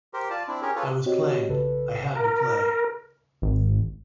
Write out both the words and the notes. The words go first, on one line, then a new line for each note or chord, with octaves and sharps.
I was playing, I had to play.
G4 A#4 C5
F4 D5 A5
C4 D4 E4
C#4 G4 G#4 A#4
F4 G#4 A4 B4 C#5
C4 F#4 G4 C#5 D#5
B1 C#3 A4 B4
A#4
G#1